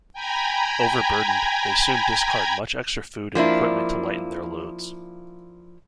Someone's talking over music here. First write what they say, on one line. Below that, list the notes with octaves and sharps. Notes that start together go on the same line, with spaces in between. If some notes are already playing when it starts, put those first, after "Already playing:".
Overburdened, they soon discard much extra food and equipment to lighten their loads.
G5 G#5 A#5 B5 G#6
F3 A#3 D4 E4